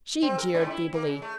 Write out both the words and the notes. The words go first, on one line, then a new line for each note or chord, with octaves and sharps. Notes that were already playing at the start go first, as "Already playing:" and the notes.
She jeered feebly.
C4
A#4
G#2
E4
A#3
C#3
A3